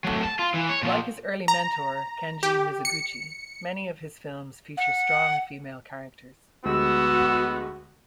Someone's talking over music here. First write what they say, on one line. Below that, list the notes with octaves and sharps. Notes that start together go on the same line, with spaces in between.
Like his early mentor Kenji Mizoguchi, many of his films feature strong female characters.
F#3 A3
A5
F4
E3
C#5
A#2 F3
A#5
G4
C#7
F#5
D2 G#3 B3 F#4 G4 E6